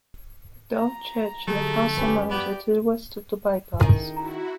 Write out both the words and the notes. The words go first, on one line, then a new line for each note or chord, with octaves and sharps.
The old church and the castle mound are to the west of the bypass.
A#5
D3 F#3 A3 G4 G#4
F#2 C#4 G4 B4
B3 G4 D5
D#3 C#4 E4 G#4
E4 F#4 A#5